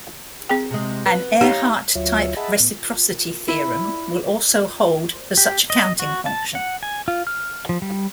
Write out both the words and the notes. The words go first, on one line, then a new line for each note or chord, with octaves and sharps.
An Ehrhart-type reciprocity theorem will also hold for such a counting function.
C4 G#4 G5
C3 G#3
B3
D#4 G4 C#5 F5
D2 F#3 F4 C#5 E5
G#4 D#5 E5 F#5 A5 B5
A2 B3
E4
G4
D#5
F#4
A5
F#5
G#5
F4
F6
F3
G3